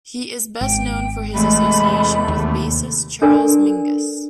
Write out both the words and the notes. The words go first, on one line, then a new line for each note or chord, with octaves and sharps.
He is best known for his association with bassist Charles Mingus.
G#1 G5
E2 C3 G#3 A3 B5
D#2
D4 A4 A#4 D5 G#5